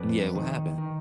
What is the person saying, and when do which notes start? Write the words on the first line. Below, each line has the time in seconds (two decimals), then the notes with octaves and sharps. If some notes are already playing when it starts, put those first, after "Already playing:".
Yeah. What happened?
Already playing: F2 B4 D5
0.35 D#3
0.78 D#3